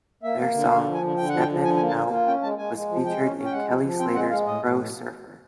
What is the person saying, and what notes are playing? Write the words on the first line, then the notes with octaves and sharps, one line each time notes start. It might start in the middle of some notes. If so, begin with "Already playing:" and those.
Their song "Steppin' Out" was featured in Kelly Slater's Pro Surfer.
A#3 E5
A#3
D3
D3 F5
F3
G#5
D3
D3 G5
F3 F#5
G5
F3
D3 G#5
G#5
A#3
A5
A#3
F4
C#4 G5
G#3 A5
G#3 G#5
G#3
F3
G#3 G5
C#4
C#4
G5
G#3 F#5
F3
F3
C4 G5
G#3 F#5
G#3 F5
A2 D#5
A2